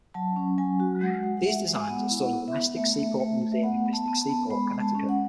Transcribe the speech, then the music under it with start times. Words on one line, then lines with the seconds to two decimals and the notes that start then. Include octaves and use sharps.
These designs are stored at the Mystic Seaport Museum in Mystic Seaport, Connecticut.
0.14 F#3 A5
0.36 C#4
0.58 F#3 G#5
0.80 F#4
1.01 G#3 F#5
1.23 G#3
1.37 F#5
1.46 G#3 E5
1.68 G#3
1.80 G#5
1.89 B3 F#5
2.11 E4
2.18 F#5
2.32 B3
2.48 E5
2.55 B3
2.76 A3 E5
2.99 A3
3.20 A3
3.42 A3
3.52 E5
3.63 B3 F#5
3.86 B3
3.93 A5
4.08 B3
4.22 A5
4.30 B3
4.50 G#3 B5
4.73 G#3
4.80 A5
4.95 C#4
5.09 F#5